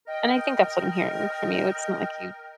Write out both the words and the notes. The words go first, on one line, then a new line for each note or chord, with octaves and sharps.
and I think that's what I'm hearing from you, it's not like you
A#4 D#5 G5